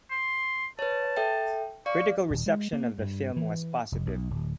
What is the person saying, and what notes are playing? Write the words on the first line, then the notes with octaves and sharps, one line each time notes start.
Critical reception of the film was positive.
C6
B4 C#5 A5
A4 E5 G5
D5 F5 C#6
D#1
G#3
A#3
G2
E3
F1
B1
D1